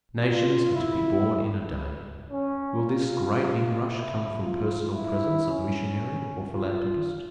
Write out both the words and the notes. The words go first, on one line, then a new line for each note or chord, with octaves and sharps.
"Nations are to be born in a day." Will this great inrush come from personal presence of missionary or philanthropist?
F4
E4
C#4
F4
E4
F4
E4
C#4
F4